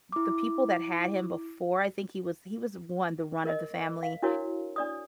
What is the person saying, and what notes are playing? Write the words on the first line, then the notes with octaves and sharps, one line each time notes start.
the people that had him before I think he was he was one the run of the family,
E4 D6
A#4 D#5
F5
D4 E4 F#4 A#4 C#5
D4 D5 D#6